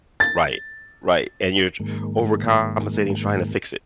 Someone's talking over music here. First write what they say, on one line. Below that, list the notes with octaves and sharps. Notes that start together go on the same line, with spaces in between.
Right, right, and you're j overcompensating trying to fix it.
A6
G#2 D#3 G#3 A#3